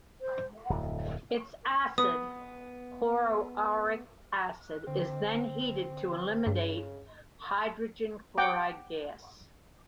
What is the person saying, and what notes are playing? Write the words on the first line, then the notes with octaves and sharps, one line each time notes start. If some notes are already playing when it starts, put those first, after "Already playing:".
Its acid, chloroauric acid, is then heated to eliminate hydrogen chloride gas.
C5
D1 F2
B3 B4 D#6
D3 C4
G2 C#3
F#5 G5 D6